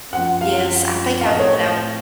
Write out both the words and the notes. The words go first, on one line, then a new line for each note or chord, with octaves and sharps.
Yes, I think I would I would
F#2 F3 C4 F4 F#5
F5
F5
A2 A3 C4 D#5
C#5